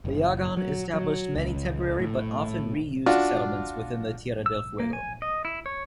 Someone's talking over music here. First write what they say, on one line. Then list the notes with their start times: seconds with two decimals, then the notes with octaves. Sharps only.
The Yaghan established many temporary but often reused settlements within Tierra del Fuego.
0.05 F#1
0.57 F#3
0.94 F#3
1.35 C#2
1.99 A2
3.06 D4 F4 F#4
4.46 E6
4.80 A#3
4.93 G#5
5.22 D#5
5.45 E4
5.66 C#5